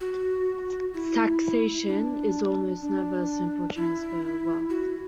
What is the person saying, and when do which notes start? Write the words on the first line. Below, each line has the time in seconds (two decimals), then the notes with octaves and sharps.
Taxation is almost never a simple transfer of wealth.
0.01 F#4
0.94 E4
1.88 D4
2.82 D4
3.75 E4
4.70 F#4